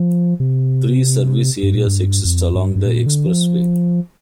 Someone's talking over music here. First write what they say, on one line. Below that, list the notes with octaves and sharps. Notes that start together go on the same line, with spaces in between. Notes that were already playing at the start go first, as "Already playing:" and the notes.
Three service areas exist along the expressway.
Already playing: F3
C3
G2
A#2
G2
F2
G2
G2
A#2
D3
F3